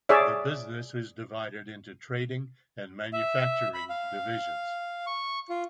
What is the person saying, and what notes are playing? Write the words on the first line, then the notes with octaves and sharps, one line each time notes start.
The business is divided into trading and manufacturing divisions.
G#4 C#5 D5 E5
E5
B5
F5
C#6
F4